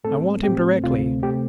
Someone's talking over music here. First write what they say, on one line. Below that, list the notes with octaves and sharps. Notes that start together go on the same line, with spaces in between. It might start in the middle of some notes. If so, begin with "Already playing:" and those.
I want him directly.
A2 A3 C4 A4
A2 A3 C4 G4
D2 C3 A3 C4 F4
C3 A3 C4 G4